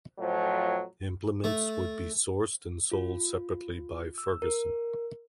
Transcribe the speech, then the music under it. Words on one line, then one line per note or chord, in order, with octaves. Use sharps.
Implements would be sourced and sold separately by Ferguson.
F2 A2 F3 F#3
A3
F4
E6
A#4